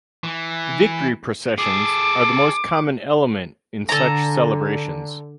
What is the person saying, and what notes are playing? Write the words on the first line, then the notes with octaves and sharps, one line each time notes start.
Victory processions are the most common element in such celebrations.
E3
G#4 A4 D6
D3 A4 G#5 A#5